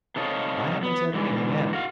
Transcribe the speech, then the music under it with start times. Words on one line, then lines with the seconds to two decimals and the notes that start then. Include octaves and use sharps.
"I haven't said anything yet."
0.16 C3 D#4 A4 C#5 D#5 F5
0.83 B3
1.14 G#2 D3 E3
1.73 F#4 F5